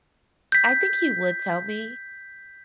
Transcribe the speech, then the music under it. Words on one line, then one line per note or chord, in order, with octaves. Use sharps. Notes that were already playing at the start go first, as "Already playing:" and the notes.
I think he would tell me.
G6 B6